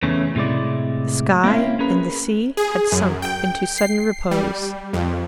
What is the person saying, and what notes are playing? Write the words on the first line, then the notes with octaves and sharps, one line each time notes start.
The sky and the sea had sunk into sudden repose.
E2 C#3 E3 A3 C#4
A2 C3 G#3 E4 D5
A#3 C4 C#4 E4 E5 F5
C#4 G#4 A#4 B4
G#4
F#2
G5
C7
G3
F2